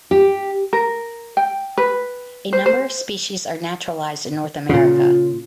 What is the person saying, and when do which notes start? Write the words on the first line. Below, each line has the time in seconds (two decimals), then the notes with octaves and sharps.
A number of species are naturalized in North America.
0.11 G4
0.73 A#4
1.37 G5
1.78 B4
2.53 C5
2.66 C5
4.69 A#2 C#3 F4